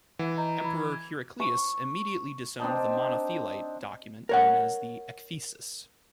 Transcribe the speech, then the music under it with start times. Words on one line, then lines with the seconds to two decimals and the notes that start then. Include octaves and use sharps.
Emperor Heraclius immediately disowned the Monothelite document known as the "Ecthesis".
0.19 E3 F#5
0.37 D#5 A#5 G6
0.64 B5 G#6
0.93 G#6
1.40 C#6
2.60 C4 D4 D#4 A5
4.29 A#4 C#5 F#5